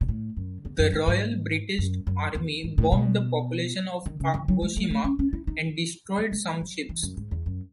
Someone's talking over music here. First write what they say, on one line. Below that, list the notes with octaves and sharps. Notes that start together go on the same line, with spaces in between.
The Royal British Army bombed the population of Kagoshima and destroyed some ships.
B2
A2
F#2
E2
F#2
G#2
G#2
F#2
F#2
E2
G#2
A2
B2
D#3
C#3
E3
F#3
G#3
A3
A3
C#4
C#4
E4
D#4
G#3
F#3
E3
F#2
G#2
E2
F#2